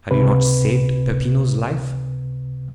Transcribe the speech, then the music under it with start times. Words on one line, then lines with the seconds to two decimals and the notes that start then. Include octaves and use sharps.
"Have you not saved Peppino's life?"
0.11 C#2 C3 B4